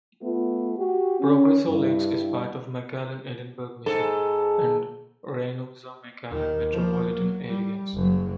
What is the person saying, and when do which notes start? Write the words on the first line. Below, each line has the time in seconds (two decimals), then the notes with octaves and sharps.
Progreso Lakes is part of the McAllen-Edinburg-Mission and Reynosa-McAllen metropolitan areas.
0.21 A3 B3 F4
0.77 F#4 G4
1.20 C#4
1.69 G2 E4
3.86 G#2 A4
6.30 D#2 D#3
6.72 F3 A#3
7.15 F#3
7.47 G3
7.94 F#1 F#3